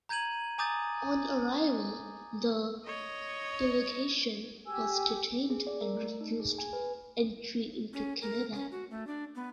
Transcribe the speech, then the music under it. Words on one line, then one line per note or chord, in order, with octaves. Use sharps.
On arrival the delegation was detained and refused entry into Canada.
A#5 G6 G#6 D#7 F#7
G#5 A#5 D6 D#6 G6 A6
C#5 D#5
G4 G#5 E6
G#4
D5
A#4
A3
D#4
G#4
G#5
B4
C#4
A#4
C#4
F#4
A3
D4
B3